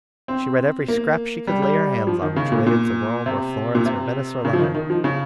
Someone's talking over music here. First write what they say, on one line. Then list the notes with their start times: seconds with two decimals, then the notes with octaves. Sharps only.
She read every scrap she could lay her hand on which related to Rome or Florence or Venice or London.
0.28 C4
0.88 A#3
1.47 G3
1.62 G3
2.07 F3
2.22 D#3
2.36 C#3
2.52 A#2
2.67 A#2
3.26 C3
3.75 A#2
3.86 C3
4.45 C#3
4.53 F3
4.59 D#3
4.75 D#3
4.90 F3
5.04 C#3